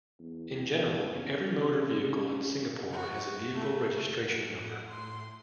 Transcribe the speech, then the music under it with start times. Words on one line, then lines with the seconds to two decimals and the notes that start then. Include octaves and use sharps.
In general, every motor vehicle in Singapore has a vehicle registration number.
0.20 E2
1.15 C#4 G#5
1.57 C3
2.92 F#4
3.55 A3
4.21 A2 F#5
4.89 C6